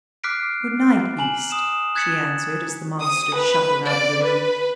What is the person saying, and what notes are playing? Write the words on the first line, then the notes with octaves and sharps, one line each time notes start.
"Good night, beast," she answered, as the monster shuffled out of the room.
D6 F6 F#6 B6 C7 D7
G#5 A#5 F#7
D#6 E7
F#6 G#6 A6 B6 C#7
D#6
B4
D5
B4